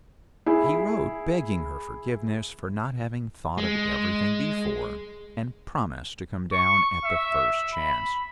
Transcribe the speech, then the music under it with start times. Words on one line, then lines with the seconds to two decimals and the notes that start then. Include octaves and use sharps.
He wrote begging her forgiveness for not having thought of everything before, and promised to come down at the first chance.
0.46 E4 G#4
3.58 G#3
6.53 C#6
7.04 E5
7.74 B5